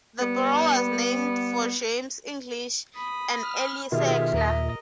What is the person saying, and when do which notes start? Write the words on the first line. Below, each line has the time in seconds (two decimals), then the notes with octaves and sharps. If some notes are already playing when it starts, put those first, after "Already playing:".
The borough was named for James English, an early settler.
0.21 G3 B3
2.96 B5 D#6
3.43 F6
3.92 B2 D#3 F4 G4 G#4 E5
4.34 D#2 A#2 A#4 D#5